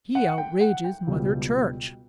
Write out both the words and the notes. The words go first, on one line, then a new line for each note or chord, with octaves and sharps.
"He outrages Mother Church."
F#5
G5
F#5
G5
C#2 B2 G3